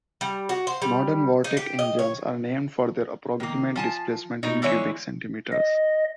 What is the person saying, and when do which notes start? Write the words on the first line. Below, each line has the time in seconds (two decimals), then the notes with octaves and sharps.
Modern Vortec engines are named for their approximate displacement in cubic centimetres.
0.21 G3
0.49 F#4
0.67 C5
0.82 G3
1.44 D#4
1.57 G4
1.79 D#5
1.99 C#5
3.40 D#3 A#3
3.76 F3 G#5 A5
4.43 B2 D#4
4.62 D3 E3 G#3 E4 C#5
5.52 D#5